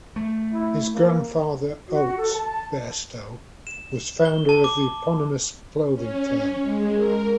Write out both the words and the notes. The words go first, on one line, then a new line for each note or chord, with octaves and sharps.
His grandfather Oates Bairstow, was founder of the eponymous clothing firm.
A3
E4
A#3
F#4
A4
A5
E7
G7
A5
D6
C#4
G#3
A#4